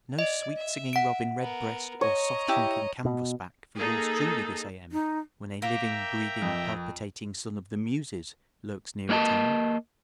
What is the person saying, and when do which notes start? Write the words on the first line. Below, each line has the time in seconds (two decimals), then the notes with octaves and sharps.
No sweet-singing robin-redbreast or soft-honking canvasback for yours truly this A.M., when a living, breathing, palpitating son of the Muses lurks near at hand.
0.19 D5 D#5
0.57 E5
0.93 F#5 D7
1.41 B3 A#4
2.01 C#5 D#5 A#5
2.48 E4 G4
3.05 B2
3.78 A#3 D#4 G#4 A4
4.92 D#4
5.62 A#3 E5 G5 A#5
6.42 F2
9.09 A#3 C4 D4 D#5 A5